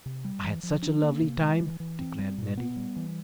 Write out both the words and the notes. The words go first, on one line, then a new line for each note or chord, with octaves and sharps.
"I had such a lovely time," declared Nettie.
C3
G3
E3
F3
D4
A#3
C3
G#3
E3
E3
C4
G3
A#2
B3
G3
E3